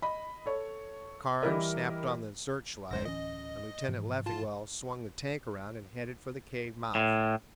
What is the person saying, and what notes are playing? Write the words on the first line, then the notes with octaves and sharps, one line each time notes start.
Carnes snapped on the search-light and Lieutenant Leffingwell swung the tank around and headed for the cave mouth.
D#5 B5
A4 C#5
E3 G3 E4 G4 A#4 D#5
G#1 F2 D3 G#3 C5 A#6
D1 E3 C#4 D#5
G#2 E3 F3
F4 A5
A2